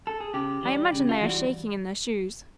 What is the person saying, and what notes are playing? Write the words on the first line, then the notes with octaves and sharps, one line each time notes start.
"I imagine they are shaking in their shoes."
A4
G#4
C#3 G4
E3 G3
C#3
F4
E3 G3 F#4